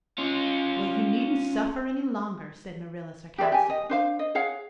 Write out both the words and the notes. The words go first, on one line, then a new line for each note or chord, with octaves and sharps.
"Well, you needn't suffer any longer," said Marilla sarcastically.
C#4 F4
G4 G#4 D5 E5
G4 G#5
D#5
D4 C5 F5
D#5
G#4 C#5 F5 F#5